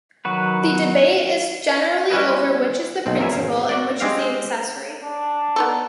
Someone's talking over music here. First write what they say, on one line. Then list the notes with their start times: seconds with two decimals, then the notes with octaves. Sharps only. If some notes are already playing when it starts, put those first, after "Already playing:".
The debate is generally over which is the principal and which is the accessory.
0.25 D#3 F#3 F#4 B4
2.10 G3 C#4 E4 B4 D#5
3.06 B1 C4
3.19 E2 A#4 E5 G#5
3.32 G#1 F5
3.69 F#4 D5
4.00 G#3 C4 G4 F5
5.04 D4
5.56 B3 D#4 A4